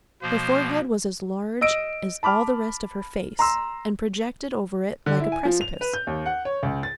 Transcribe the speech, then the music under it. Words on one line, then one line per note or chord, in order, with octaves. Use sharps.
Her forehead was as large as all the rest of her face, and projected over it like a precipice.
B2 F3 A#3 C5
D#5 E6 D7
A5 B5 D6 F6
A#5 C6 E6
D3
E4
G#5
F3
F7
B4
G6
D#2
F#5
C#5
C#2
A6